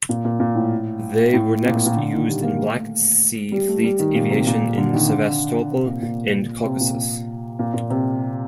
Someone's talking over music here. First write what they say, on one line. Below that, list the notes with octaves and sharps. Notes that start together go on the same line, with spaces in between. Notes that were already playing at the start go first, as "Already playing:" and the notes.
They were next used in Black Sea Fleet aviation in Sevastopol and Caucasus.
A#2
A#2
A#2
A2
A2
A#2
A#2
A#2
D3
D#3
G3
A#3
A3
G3
A3
G3
D#3
A#2
C3
A#2
D3
D#3
D3
C3
A#2
A#2
C3
A#2
A#2
A#2
C3